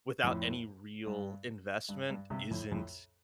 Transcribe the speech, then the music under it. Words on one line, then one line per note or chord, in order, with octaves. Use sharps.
without any real investment isn't,
F2 A2
G2
G2
G2
G2 C3
F2 A2
F2 A2